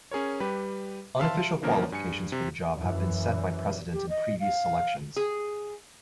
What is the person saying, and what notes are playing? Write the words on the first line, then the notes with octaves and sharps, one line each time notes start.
Unofficial qualifications for the job have been set by precedent in previous selections.
C#4 G#4 A#4 C#5
G3 G4 B4
E5 F5 A5 C6
D3 E3 F3 A#3 C#4 A#4
G2 G#5 C#7
C3
F#2 E3
G4
D#5
F5
G#4